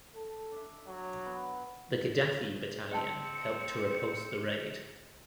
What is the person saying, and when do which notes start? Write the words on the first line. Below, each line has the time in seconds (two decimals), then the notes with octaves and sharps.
The Gaddafi Battalion helped to repulse the raid.
0.15 A4
0.52 D4 E5
0.87 F#3
1.26 B3
2.92 C4 D#5 G5 A5 C#7